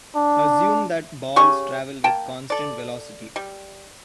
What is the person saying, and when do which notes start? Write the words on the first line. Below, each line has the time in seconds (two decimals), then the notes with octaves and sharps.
Assume that balls travel with constant velocity.
0.15 D4
1.36 C#3 C#4 G4 C#6
2.04 A#3 G5 A5
2.50 A4 D5
3.36 G3